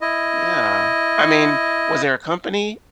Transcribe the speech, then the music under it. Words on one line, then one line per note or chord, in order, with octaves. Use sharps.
Yeah. I mean, was there a company
E4 D#5